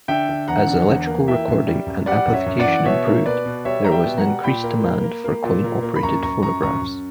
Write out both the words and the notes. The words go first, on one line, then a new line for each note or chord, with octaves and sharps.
As electrical recording and amplification improved there was increased demand for coin-operated phonographs.
D3 E5 G5
D3
E2 F#5 A#5
D3
E2
A#3
E3 E5 G5
F#2
G3
F#2
G3 D5 F#5
F#2
C#5 E5
F#2
D5 F#5
E3
B2 C#5 E5
A#3
B2 B4 D5
B2
G3 C#5 E5
G3 A#5
E5 G5
B2
F#5 A#5
G3
A#2 G5 B5
A#3
A#3
A#3
A#3
A#2
A#3
A#3
B5
F#2 A#5 C#6
F#2 A#5 C#6
F#2 A#5 C#6
F#2 A#5 C#6
F#2